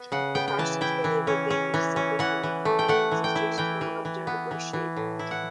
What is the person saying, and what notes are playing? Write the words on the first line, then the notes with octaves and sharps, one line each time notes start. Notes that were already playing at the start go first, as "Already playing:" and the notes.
The Pashtuns believe that they are descended from the common ancestor Qais Abdur Rashid.
Already playing: B3
C#3 F#5
B3 G5
G5
E3 A5
E4 G5
E3
C#4
C#4
E3
C#4
E3 F#5
E3
A3
G5
A3 F#5
E3
G5
E4
E3 G5
E3
E3
B3
E3
E3
A2
E4
F#5